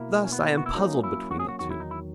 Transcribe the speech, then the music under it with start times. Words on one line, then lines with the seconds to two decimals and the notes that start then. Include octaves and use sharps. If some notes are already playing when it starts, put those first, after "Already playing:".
Thus I am puzzled between the two.
Already playing: B2 A#3 E4 A#4
0.23 C#4
0.32 B3
0.57 F#4
0.66 E4
0.74 F#3 A#3 C#4 D#4
1.04 E4
1.31 F#4
1.39 G#4
1.48 F#4
1.59 E2 D#3 F#3 F#4
1.71 E4
1.80 D#4
1.91 E4